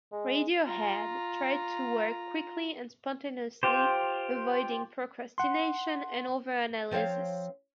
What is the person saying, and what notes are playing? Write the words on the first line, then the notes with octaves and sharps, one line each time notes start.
Radiohead tried to work quickly and spontaneously, avoiding procrastination and over-analysis.
G#3
F4 A#5
F4 G4 C5
F#5 C6
F3 C4 C5 C#5 F5